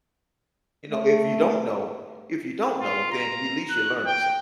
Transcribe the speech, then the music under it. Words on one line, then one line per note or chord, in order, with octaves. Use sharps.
You know, if you don't know if you don't know, then at least you're learning something.
A3
F4
A#5
F#6
G5